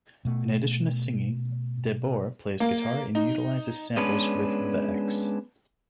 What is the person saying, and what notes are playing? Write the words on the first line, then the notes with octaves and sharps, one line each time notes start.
In addition to singing, De Boer plays guitar and utilizes samples with The Ex.
B2 A3
A#3
D#4
G#3 B3 C#4 D4 B4